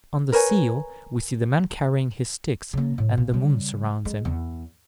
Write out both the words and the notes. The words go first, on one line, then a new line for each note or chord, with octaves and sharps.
On the seal we see the man carrying his sticks, and the moon surrounds him.
A#4 B4 C#5 G#5
C#3 A#3
A2
A#2
C#3 G3
G#3
E2